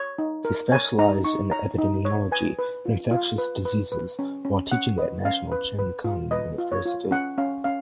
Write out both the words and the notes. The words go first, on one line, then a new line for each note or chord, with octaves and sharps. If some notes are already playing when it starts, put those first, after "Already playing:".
He specialized in epidemiology and infectious diseases while teaching at National Cheng Kung University.
Already playing: C#5
D#4
A#4
C#5 G#5
D#4 A#5
D#4 C#6
C#5 A#5
D#4
C#5
B4 G#5
B4
F4
F4
B4
B4
B4
C#4
C#4
C#4 F#5
B4 D#5
C#4 F5
B4
B4
F4
B4 D#5
F4
C#5
F4
C#4 F#5
C#4 F5
C#4 F5